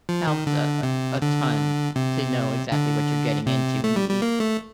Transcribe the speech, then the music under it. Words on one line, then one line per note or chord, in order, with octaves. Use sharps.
helps a a a ton to know exactly what you're getting into when you eat.
F3
D#3
D3
C3
D3
C3
D3
C3
A3
G3
G3
A#3
A3